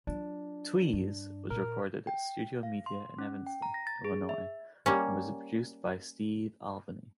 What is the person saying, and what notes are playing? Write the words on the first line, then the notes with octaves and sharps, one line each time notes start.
"Tweez" was recorded at Studiomedia in Evanston, Illinois, and was produced by Steve Albini.
F#3 D4 F4
G2
A#2 A#4
G5
F5
C6
C#4
G5
A#5
A#6
A6
G#4
E5
G3 A#3 C#4